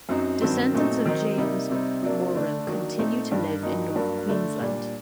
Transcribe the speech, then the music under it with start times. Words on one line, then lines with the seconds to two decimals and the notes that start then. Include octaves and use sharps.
Descendants of James Morrill continue to live in North Queensland.
0.09 F#2 F#3 C4 D#4
0.42 G2 D#3 F#3 C4
0.73 A#2 F#3 A3 C4 D#4
1.06 D#3 F#3 C4 D#4
1.38 C3 G3 A#3 D#4
1.70 C3 G3 C4 D#4
2.03 C3 F#3 A#3 D4
2.35 D3 A3 D4
2.67 D#3 F#3 A#3 D4
2.99 A#2 A3 C4 D#4
3.31 G2 D#3 G3 D4
3.63 G2 F#3 A#3 D#4
3.95 G2 F#3 A#3 D4
4.28 D3 A3 D4
4.60 A#2 G3 D4